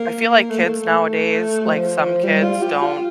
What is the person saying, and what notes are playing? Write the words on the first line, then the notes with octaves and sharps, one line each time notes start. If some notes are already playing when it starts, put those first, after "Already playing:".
I feel like kids nowadays, like, some kids don't
Already playing: A#3
A3
A#3
A3
F3
G3
F4
G4
F4